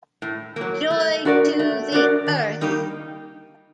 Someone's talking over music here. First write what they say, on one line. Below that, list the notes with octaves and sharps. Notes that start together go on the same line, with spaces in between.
Joy to the earth!
A2
F#3 A#3
A3
D4 F#4 A#4 D5
A3
D4 F#4 A#4 D5
D#3
G3 A#3 D#4 G4